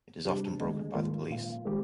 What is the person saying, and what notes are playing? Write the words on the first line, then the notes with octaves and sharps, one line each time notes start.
It is often brokered by the police.
C3 G3 D4
D#2 D3 G#3
G#2 D#3 A#3 F4
A#2 F3 A#3 F4
D#3 G#3 C4 G4